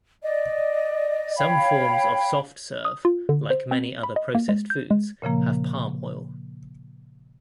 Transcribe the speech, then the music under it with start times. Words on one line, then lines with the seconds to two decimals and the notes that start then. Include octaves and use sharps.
Some forms of soft serve, like many other processed foods, have palm oil.
0.22 D5 D#5
1.38 C#5 F5 G5 B5
2.85 D#6
3.05 F4
3.29 D3
3.50 C5
3.71 C4
4.03 B5
4.16 D#5
4.35 A#3
4.49 G#3
4.70 G6
4.91 G#3
5.22 A#2 C#3 F3 A#3